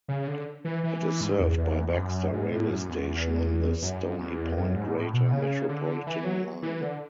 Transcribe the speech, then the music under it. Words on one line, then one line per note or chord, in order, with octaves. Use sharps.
It is served by Baxter railway station on the Stony Point greater-metropolitan line.
C#3
D3
E3
E3
E3
G#2
E2
E2
E2
F#2
G#2
A2
F#2
E2
F#2
E2
F#2
G#2
A2
B2
C#3
D3
E3
F#3
E3
D3